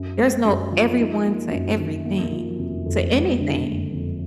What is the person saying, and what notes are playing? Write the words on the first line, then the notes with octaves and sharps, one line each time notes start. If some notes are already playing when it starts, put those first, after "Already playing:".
There's no everyone to everything to anything.
Already playing: F#2
G#3
F#2
F3
D#4
A#3
F#2
D#3
A#3
F3
F1
F2
G#3
D3
F#1
F2